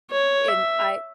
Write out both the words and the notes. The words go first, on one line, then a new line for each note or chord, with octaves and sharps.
and I
C#5
E5